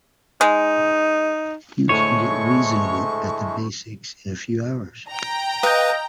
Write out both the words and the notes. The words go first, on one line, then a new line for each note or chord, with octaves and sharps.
You can get reasonable at the basics in a few hours.
G#3 D#4
D2 A2 G#3 A3 C#5 C#6 D#7
G5 A#5
B4 D#5 F5 G6